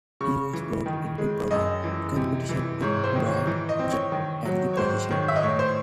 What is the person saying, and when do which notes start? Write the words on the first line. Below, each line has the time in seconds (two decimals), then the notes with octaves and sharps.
He was brought in to provide competition to Brian Jennings at the position.
0.21 C#3 C#6
0.53 E3
0.86 D#3
1.18 G#3
1.51 F#2 D#5
1.84 E3
2.16 C3
2.49 E3
2.82 G#2 C#5
3.04 C5
3.15 D#3
3.26 C#5
3.47 E3
3.69 D#5
3.79 C4
3.91 C#5
4.12 D#3
4.45 F#3
4.73 C#5
4.77 G#2 C5
5.10 D#3 C#5
5.28 E5
5.36 D#5
5.43 A2 C#5
5.59 C5